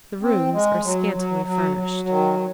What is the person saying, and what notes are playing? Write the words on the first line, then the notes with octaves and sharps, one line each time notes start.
The rooms are scantily furnished.
C4
G#3
F#3
F#3
F#3
F#3
D#3